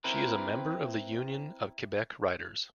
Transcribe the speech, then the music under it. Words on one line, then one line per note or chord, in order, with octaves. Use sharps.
She is a member of the Union of Quebec Writers.
C4 E4 A#4 B4